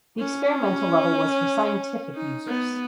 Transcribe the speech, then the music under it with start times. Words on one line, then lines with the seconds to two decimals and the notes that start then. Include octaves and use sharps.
The experimental level was for scientific users.
0.20 C#4
2.15 D#4
2.47 B3